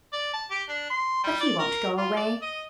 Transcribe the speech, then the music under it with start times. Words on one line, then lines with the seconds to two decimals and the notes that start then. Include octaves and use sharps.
But he won't go away.
0.13 D5
0.33 A5
0.50 G4
0.69 D4
0.90 C6
1.24 G3
1.40 D5
1.59 A#4
1.98 F4
2.17 D5
2.41 D#5